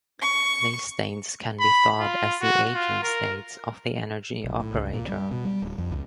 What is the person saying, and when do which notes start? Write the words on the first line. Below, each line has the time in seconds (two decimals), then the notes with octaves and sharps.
These states can be thought as the eigenstates of the energy operator.
0.22 C#6
1.60 B5
2.00 F4
2.41 F#4
2.75 F4
3.03 A#4
4.44 B1
4.60 A2
4.74 C#2
4.94 A#2
5.09 G3
5.31 B2
5.45 G3
5.62 D1
5.78 F2
5.91 C#2